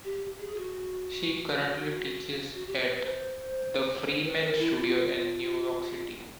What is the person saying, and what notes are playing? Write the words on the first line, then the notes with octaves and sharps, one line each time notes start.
She currently teaches at the Freeman Studio in New York City.
G4
G#4
F#4
F#4
G4
B4
C5
B4
A#4
E4
F4